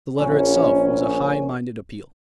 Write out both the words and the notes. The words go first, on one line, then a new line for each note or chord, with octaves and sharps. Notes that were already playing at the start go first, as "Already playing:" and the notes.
The letter itself was a high minded appeal . . . .
A#1 C#4